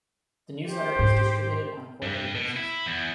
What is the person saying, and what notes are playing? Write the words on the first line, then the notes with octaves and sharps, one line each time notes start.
The newsletter is distributed on a quarterly basis.
G4 C5
G#2
G2
B2
E4
E2